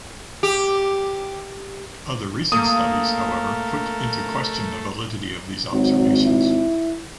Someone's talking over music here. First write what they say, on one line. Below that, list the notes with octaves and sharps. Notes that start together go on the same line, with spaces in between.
Other recent studies, however, put into question the validity of these observations.
G4
A3 A#3 A#4 D#6
G#1 F#3
E4